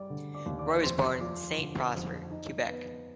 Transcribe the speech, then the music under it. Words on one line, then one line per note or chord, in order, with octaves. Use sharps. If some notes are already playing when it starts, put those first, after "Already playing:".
Roy was born in Saint-Prosper, Quebec.
Already playing: G3 D5 D6
D3
D5 D6
D#2
D5 D6
F2 C5 C6
F3 D5 D6
D3
F2
D#4
B3